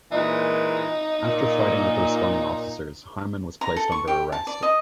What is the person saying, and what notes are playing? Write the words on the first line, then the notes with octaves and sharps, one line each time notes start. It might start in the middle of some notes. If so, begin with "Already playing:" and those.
After fighting with the responding officers, Harmon was placed under arrest.
A#2 E3 G#3 D#4
A#2
A#5
A4
C#6
G4
A5
D5
D#5